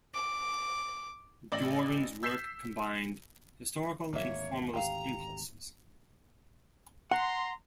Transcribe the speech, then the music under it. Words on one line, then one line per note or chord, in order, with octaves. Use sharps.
Doran's work combined historical and formalist impulses.
D6
A1 D5 A#6 F#7
E6 G6 B6 C7 E7
G#1 D2 A#3 C#5 E5
G4 F5 A#5
F#5 A#5 C6